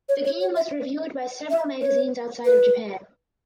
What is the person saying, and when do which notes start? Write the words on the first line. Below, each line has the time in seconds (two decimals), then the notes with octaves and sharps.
The game was reviewed by several magazines outside of Japan.
0.09 C#5
0.25 C#5
0.41 C#5
0.56 E5
1.50 E5
1.81 C#5
2.45 B4